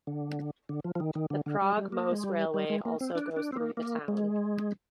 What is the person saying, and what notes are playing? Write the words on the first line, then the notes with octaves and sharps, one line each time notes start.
The Prague - Most railway also goes through the town.
D3
D3
F3
F3
D#3
D#3
D3
D3
G3
G3
A#3
G#3
G3
G3
G#3
A#3
C4
D4
D4
C4
A#3
A#3
G#3